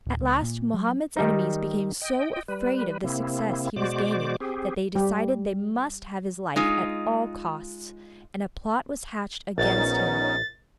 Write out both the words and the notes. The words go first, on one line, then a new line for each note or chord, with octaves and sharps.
At last Mohammed's enemies became so afraid of the success he was gaining that they decided they must have his life at all costs, and a plot was hatched against him.
D1
C#2
A#2
F#3
D#3 G3 D#4
D#5 G5
G3 B4
C3 A#3 C4 E4
B2 G#3 F#4 C5 D5 D6
C4 G4 G#4
G3 G4
G#3 D#4 F4
A#1 B3 C#4 D#4 A6